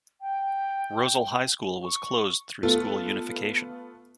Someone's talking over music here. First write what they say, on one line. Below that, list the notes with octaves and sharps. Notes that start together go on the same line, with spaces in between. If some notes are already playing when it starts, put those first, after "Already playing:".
Rozel High School was closed through school unification.
G5
C#6
A3 B3 F4 A4